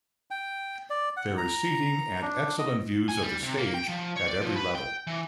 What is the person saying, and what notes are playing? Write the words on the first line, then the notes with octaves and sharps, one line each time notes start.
There is seating and excellent views of the Stage at every level.
G5
D5
F#5
A#5
D4
D#5
G#5
G3
C3
A#3
G5
F3
C#5
D5
F3
B4
G5
E3